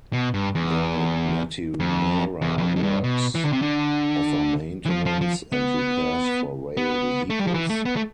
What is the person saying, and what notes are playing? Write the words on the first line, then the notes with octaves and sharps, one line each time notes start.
The Netinera Works offer maintenance and repairs for rail vehicles.
B2
G2
E2
F2
E2
E2
F2
F2
G2
B2
E3
D3
C3
D3
E3
F3
F3
F3
B3
B3
A3
G3
F3
E3
A3
B3
A3